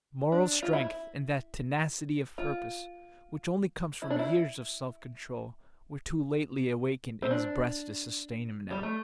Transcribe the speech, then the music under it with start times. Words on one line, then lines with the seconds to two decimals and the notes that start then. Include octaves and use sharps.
Moral strength and that tenacity of purpose which only comes from years of self-control were too lately awakened in his breast to sustain him now.
0.32 D4
0.62 F4
0.73 E4
2.38 F4
4.02 E4
4.10 D4
4.19 E4
7.22 C4
7.31 D4
8.71 G3
8.83 A3